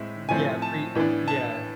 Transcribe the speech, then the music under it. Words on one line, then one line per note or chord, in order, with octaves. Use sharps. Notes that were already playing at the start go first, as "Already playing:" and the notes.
N yeah. Pre yeah.
Already playing: A2 G#3 C4 E5
A2 F3 A3 C4 G#5
A5
A2 E3 B3 D4
A5